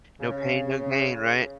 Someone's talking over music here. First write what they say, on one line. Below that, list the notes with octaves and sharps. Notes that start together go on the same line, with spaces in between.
No pain, no gain, right?
C#3